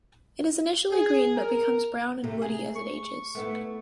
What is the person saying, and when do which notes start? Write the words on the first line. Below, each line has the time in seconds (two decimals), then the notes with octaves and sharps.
It is initially green but becomes brown and woody as it ages.
0.91 G#4
1.36 A#4
2.24 C3 A3
2.42 G#4
2.76 C#6
3.35 A3 B3 E4